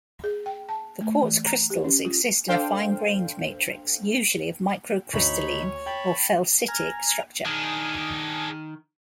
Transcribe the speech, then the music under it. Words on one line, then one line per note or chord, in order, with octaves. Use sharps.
The quartz crystals exist in a fine-grained matrix, usually of micro-crystalline or felsitic structure.
G#4
G5
A5
A3
E3
A#5
G4
C#4
F4
D4 A4 C5 F5 G5
D2 D#4 C#5 B5
G5 A5 B5
G#5 A#5 F6
D#3 D4 G#4 G#5 D#6